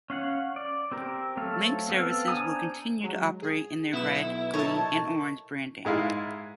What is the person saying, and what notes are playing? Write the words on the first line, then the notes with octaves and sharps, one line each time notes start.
Link services will continue to operate in their red, green and orange branding.
C#4 F5 F#5
D5
C4 G4 A#4
F#3 A3 C4 A4 F5
B3 C4 A4 F5
D4 C5 G#5 A#5 D#6
F#3 G#3
G#4
B1 B3 E4 E7
D#4 A4 A#4 C#5 A5
G#2 G#3 E4 F5